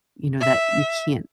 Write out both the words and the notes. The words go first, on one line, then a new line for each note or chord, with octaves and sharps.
you know, that you can't
E5